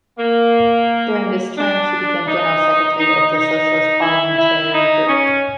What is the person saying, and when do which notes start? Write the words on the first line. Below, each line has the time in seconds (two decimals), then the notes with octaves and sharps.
During this term she became general secretary of the Socialist parliamentary group.
0.18 A#3
1.58 D4
2.28 D#4
2.98 D#4
3.34 D#4
4.02 E4
4.38 E4
4.73 D#4
5.07 C#4